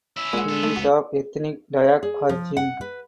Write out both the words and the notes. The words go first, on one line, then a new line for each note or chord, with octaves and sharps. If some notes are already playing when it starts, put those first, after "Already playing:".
He is of ethnic Dayak origin.
C#4 E4 E6
A#2 G#3 F#5
B3 A4
A3
C#2 F#4
G#4
F3
F#5
B4